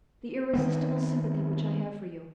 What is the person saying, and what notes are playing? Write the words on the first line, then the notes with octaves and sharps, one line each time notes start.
"The irresistible sympathy which I have for you."
D#3 B3 C4